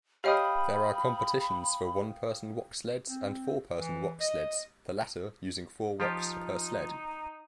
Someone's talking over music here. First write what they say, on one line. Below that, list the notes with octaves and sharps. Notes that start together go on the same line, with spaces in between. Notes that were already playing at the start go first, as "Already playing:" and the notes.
There are competitions for one-person-woksleds and four-person-woksleds, the latter using four woks per sled.
G4 C#5 D#5 F5 G5 B5 D#6
C4
E3
D#5
F3 D#4 F4 G4